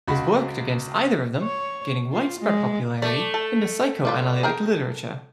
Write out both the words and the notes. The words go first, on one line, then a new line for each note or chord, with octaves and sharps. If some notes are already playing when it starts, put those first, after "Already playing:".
This worked against either of them gaining widespread popularity in the psychoanalytic literature.
C#2 F#4 B5
C#5
F4
G#3
A3 D5
A4
G3 F4 B4
G#4 A#4 G5